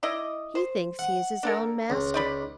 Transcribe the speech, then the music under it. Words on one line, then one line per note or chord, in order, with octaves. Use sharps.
He thinks he is his own master.'
E4 D5 D#5
C5
F#5
D4 A4 A#4
C#2
D#4 D5 B5